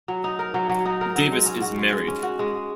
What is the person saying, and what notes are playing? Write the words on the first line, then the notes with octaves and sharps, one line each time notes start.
Davis is married.
F#3
D#4
A#4
F#3
F#3
D#4
A#4
F#3
G#3
C#4
F#4
G#3
G#3
C#4
F#4
G#3